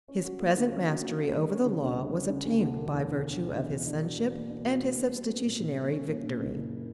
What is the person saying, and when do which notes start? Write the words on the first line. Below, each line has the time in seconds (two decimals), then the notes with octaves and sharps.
His present mastery over the Law was obtained by virtue of His Sonship and His substitutionary victory.
0.08 C#4
0.24 F#4
0.40 A#3
0.55 D3
0.72 C#4
0.87 F#4
1.02 A#3
1.18 D3
1.34 G3
1.49 C#4
1.65 C#3
1.82 D2
1.97 G3
2.13 C#4
2.29 C#3
2.45 D2
2.60 D3
2.75 E1
2.92 E2
3.07 E1
3.24 D3
3.39 E1
3.55 E2
3.70 E1
3.86 D4
4.02 F#4
4.18 A#3
4.34 B2
4.50 D4
4.65 F#4
4.81 A#3
4.97 B2
5.12 G3
5.28 C#4
5.44 A#2
5.60 A#1
5.75 G3
5.92 C#4
6.07 A#2
6.23 A#1
6.39 C#3
6.54 F#1